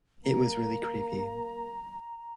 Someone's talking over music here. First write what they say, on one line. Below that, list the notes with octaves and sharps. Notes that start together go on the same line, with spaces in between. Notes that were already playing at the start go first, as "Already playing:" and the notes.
It was really creepy.
A#3 A#5